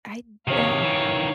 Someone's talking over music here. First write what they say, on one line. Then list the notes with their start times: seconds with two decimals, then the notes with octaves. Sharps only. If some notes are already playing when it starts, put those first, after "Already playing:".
I uh,
0.47 C3 D#3 C#5 F5
0.82 D#3 E3